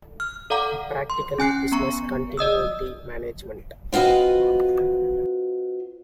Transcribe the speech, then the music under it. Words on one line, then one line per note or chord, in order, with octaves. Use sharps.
Practical Business Continuity Management.
F6
A4 D5 F5 F#5 A#5 D6
C6
C#4 G#5 F#6 C7
B3 A#5 C#6 C#7
D5 D#5 D#6 E6
C4 F4 F#4 B4 D#5